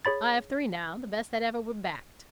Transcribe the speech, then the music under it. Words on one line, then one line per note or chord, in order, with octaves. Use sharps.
I have three now, the best that ever were backed.
G#4 C#5 B5 A6